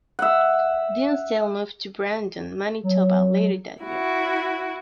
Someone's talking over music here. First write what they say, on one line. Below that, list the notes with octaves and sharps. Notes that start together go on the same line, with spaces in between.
Dinsdale moved to Brandon, Manitoba later that year.
E5 F#5
F#3
E4 F#4